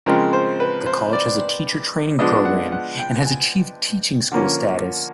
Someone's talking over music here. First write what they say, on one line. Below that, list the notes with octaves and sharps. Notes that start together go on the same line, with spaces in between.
The College has a teacher training programme and has achieved Teaching School status.
C#3 F3 G#3 C4 A#4
C5
B4
C5
D5
F3 G#3 B3 D4 D#5
F#5
F#5
G5
G#5
D3 F3 A#3 C#4